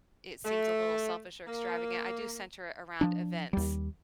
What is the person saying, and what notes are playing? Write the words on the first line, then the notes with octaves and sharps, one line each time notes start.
it seems a little selfish or extravagant; I do center it around events.
A3
A#3
F3 D4
D#2 G3